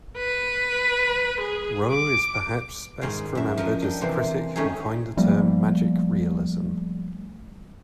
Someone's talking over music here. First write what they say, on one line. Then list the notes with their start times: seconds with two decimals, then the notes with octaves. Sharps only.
Roh is perhaps best remembered as the critic who coined the term magic realism.
0.17 B4
1.39 G#4
1.90 D6
3.01 G#2 D#3 F5
3.35 F#2 E5
3.57 F3 A#4 D#5
3.82 D4 D#5 G5
4.01 C3 E3 A#3 C5
4.56 D#3 A3 C#4 D#4 G4 G#4
5.17 F3 G3 A3 A#3